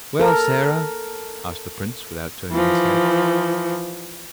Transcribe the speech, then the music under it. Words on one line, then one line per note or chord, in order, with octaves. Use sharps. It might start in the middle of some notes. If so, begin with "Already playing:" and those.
"Well, Sarah?" asked the prince, without turning his head.
A4 A#4
E3 F3